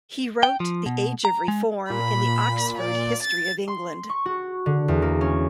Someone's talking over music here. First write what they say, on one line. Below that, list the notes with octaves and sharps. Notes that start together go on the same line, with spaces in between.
He wrote "The Age of Reform" in the Oxford History of England.
G5
F3
B2
A#5
G#3
A#2 B5
D5
A6
C6
C#6
F#4
D3
E2
A#3
C#4